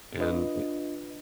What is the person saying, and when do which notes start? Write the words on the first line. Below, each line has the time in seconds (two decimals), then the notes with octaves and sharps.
and, eh"
0.18 D4 F4 B4 D#5